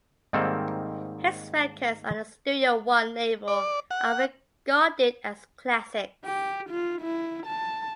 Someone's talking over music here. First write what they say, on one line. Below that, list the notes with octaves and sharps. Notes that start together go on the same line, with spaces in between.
His records on the Studio One label are regarded as classics.
G#2 D#3 G3 A#3 C4 A4
D5
F#5
G4
F4
E4
A5